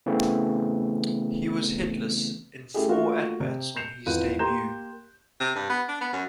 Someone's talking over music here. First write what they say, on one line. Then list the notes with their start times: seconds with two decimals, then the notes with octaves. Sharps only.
He was hitless in four at-bats on his debut.
0.06 C#3 E3 A3 B3 C4
2.74 A3 C#4 E4 G4 G#4
2.88 A3 A#3 D4 F4 F#4 A#4
3.40 C3
3.76 G6 C7 C#7 E7 F7
4.06 G#1 E2 F4 B4 F#6 D#7
4.39 A#3 G4 A#5 C6 G6 E7
5.40 C3
5.55 G2
5.70 B3
5.88 D4
6.01 B3
6.13 F#2